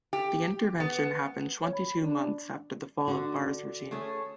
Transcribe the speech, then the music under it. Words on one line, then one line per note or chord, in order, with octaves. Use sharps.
The intervention happened twenty-two months after the fall of Barre's regime.
G4
B3
C#5
B5
D4
D3 F#4
A3 C#4 G#4